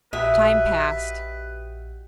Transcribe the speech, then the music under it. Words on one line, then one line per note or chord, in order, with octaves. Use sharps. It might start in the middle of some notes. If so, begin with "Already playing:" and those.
Time passed.
A#1 F#4 G4 B4 D#5 E5